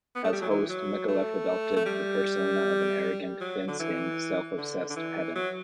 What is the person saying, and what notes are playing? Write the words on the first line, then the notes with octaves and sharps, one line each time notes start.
As host, Micallef adopted the persona of an arrogant, thin-skinned, self-obsessed pedant.
B3
A3
G3
F#3
E3
F#3
A3
A3
G3
F#3
D3
E3
D3
D3
E3
F#3